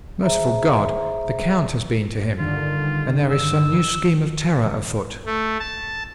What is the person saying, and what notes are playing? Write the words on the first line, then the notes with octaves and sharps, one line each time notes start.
Merciful God! the Count has been to him, and there is some new scheme of terror afoot!
G#4 C5 E5 A#5
G2 D3 D#3 F4
E6
A3
A5